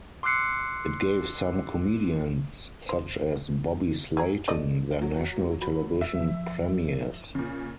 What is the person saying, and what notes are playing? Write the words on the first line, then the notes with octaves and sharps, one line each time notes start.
It gave some comedians, such as Bobby Slayton, their national television premieres.
C6 D6 E6 F#6 C7 C#7
C5
F#3 G#4 A#5
A3 D5 D#5
F#3
F#3 B5
E5
F3
A#2 C#3